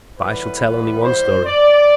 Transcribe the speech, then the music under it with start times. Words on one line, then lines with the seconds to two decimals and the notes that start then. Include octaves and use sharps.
But I shall tell only one story.
0.17 A2 E3 G3 B3 B4
0.59 B4
1.02 C5
1.46 D5